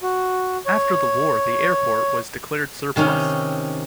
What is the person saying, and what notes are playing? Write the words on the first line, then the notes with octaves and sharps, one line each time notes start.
After the war the airport was declared surplus.
F#4
C#5
C3 D#3 C#4 D#4